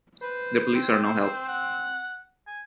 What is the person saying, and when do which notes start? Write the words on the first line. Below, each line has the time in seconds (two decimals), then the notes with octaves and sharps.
The police are no help.
0.22 B4 C5
0.75 C4
1.48 F#5
2.47 G#5